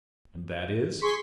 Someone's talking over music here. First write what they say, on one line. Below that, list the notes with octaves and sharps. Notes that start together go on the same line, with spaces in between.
"And that is--?"
G#4 C6 C#6 B6